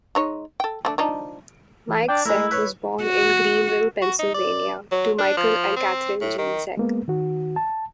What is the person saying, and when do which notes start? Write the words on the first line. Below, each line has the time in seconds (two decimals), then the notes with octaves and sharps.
Mike Zeck was born in Greenville, Pennsylvania, to Michael and Kathryn Jean Zeck.
0.15 G#3 D#4 C#5
0.60 A4 G5
0.85 A3 C4 D4
0.98 F3 D4 D#4
1.88 E3
2.09 D4 G5
2.26 G#3 A3 E4 A#4
2.51 B4 C#5
3.03 F#4
4.02 F#4
4.19 D#4
4.35 D5
4.92 F#3
5.19 D4
5.37 F3
5.77 C4
6.21 A2
6.38 D#3
6.77 G#3 A#3 B3
7.08 D#3 F#4
7.56 A5